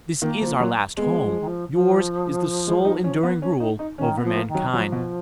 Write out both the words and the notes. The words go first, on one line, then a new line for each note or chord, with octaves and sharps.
This is our last home, yours is the sole enduring rule over mankind.
D#3 A#3
F3
F#3
G#3 B3
F3
D#3
F3
F3
G#3
D#4
C#4
B3
C#4
D#4
D#4
D#3 C#4
B3
F3
A#3
D#3
F#3
F3 F#3
B2